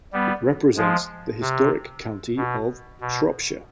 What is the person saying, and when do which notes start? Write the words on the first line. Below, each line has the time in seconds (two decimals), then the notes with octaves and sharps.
It represents the historic county of Shropshire.
0.13 G3 B3
0.77 F3 G#3
1.41 C3
2.37 B2
3.01 B2